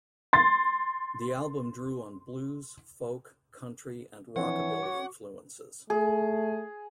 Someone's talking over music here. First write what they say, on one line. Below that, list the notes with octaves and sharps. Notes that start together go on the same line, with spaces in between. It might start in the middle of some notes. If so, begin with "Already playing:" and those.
The album drew on blues, folk, country and rockabilly influences.
C6 A6
E3 F3 C4 D4 C#5 F#5
F#4 C#6 D6
A3 G#4